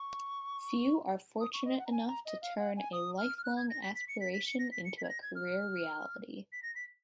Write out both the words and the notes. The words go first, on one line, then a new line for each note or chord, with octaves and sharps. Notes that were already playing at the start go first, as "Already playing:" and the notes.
Few are fortunate enough to turn a lifelong aspiration into a career reality.
Already playing: C#6
D#6
C#6
D#5
F#5
A#5
G#5
A#5
D#5
F5
F#5
G#5
D#6
F6
F6
F#6
G#6
A#6
B6
B6
C#7
B6
B6
C#7
A#6
B6
C#7
B6
G#6
A#6
G#6
F6
B6
A#6
B6